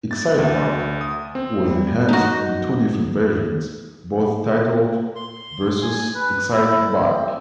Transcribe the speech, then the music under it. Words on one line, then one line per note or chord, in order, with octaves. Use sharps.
"Excitebike" was enhanced in two different versions, both titled "Versus Excitebike".
A6
D2
D#6
C4
G3
D#4 F#4
C6
G#5
B4
E4
C4